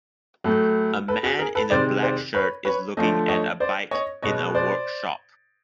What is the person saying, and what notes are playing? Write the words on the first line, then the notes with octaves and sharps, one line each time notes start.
A man in a black shirt is looking at a bike in a workshop.
A2 F#3 A3
A4 B4
F#4 G#4
G#4 A#4
A4 B4
C3 D#3 G#3 C5 D5
C5 D5
B4 C#5
B4 C#5
D3 F3 A3 C#5 D#5
C#5 D#5
C5 D5
C#5 D#5
B2 G#3 C#5 D#5
C5 D5